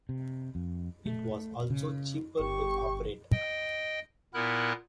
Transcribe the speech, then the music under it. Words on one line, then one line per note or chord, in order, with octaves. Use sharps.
It was also cheaper to operate.
C3
F2
A3
C#3
G1 G4 C#6
D#5 G5
A#2 B3 E4 A#4 F#6